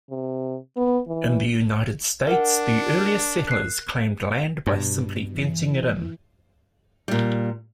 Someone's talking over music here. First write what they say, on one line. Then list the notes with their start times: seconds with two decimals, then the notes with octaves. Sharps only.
In the United States, the earliest settlers claimed land by simply fencing it in.
0.10 C3
0.77 B3
1.08 E3
2.27 D4 A#4 F#5
3.48 F#6 C7
4.67 G2 B2
5.31 E3
7.08 A#2 G3